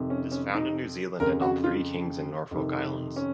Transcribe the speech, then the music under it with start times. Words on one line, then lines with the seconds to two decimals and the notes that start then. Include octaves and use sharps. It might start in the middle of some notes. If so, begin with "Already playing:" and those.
It is found in New Zealand and on Three Kings and Norfolk Islands.
Already playing: F2 C3 D#3
0.10 C#4
0.32 C#4
0.54 D#4
1.20 F2 C#3 A#4
1.41 F#4
1.64 F4
2.51 F2 C3 D#3
3.16 C#4